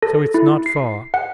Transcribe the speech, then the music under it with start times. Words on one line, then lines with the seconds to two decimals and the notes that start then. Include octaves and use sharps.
"So it's not far?"
0.03 A4
0.34 E4
0.66 C7
1.14 F#5